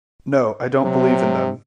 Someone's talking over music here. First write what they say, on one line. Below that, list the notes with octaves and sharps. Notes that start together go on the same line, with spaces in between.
No, I don't believe in them.
C3 F#3